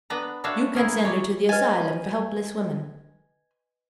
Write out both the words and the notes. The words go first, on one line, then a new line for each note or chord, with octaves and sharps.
You can send her to the asylum for helpless women.
B3 D4 B4 A#5
D4 F#4 C#5 E5 F5
E4 G#4 A#4
C#5 D5
B4 D#5 G#5